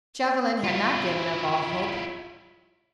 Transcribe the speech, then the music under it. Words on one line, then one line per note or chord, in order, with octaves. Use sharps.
Chauvelin had not given up all hope.
E4 F4